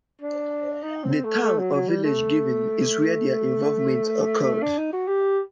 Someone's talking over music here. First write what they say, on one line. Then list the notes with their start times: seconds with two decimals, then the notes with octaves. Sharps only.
The town or village given is where their involvement occurred.
0.21 D4
0.83 D#4
1.03 C4
1.24 A3
1.43 A3
1.59 F#3
1.73 F#3
1.89 G3
2.04 A3
4.62 D4
4.78 D#4
4.93 F#4
5.08 G4